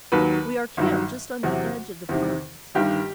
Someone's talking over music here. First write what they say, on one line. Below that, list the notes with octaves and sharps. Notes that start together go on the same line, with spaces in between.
We are camped just on the edge of the pines.
D#2 D#3 F#3 B4
G1 G2 D#3 F#3
E2 C3 F#3 F#4
E2 C3 D#3
G1 G2 D#3 G4